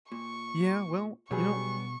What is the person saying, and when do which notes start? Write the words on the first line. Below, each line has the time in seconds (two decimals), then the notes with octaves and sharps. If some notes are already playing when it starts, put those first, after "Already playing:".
Yeah. Well, you know,
0.12 A#2 C#6
1.31 G2 B2 F#3 G3 B3 G#4 C#5 C#6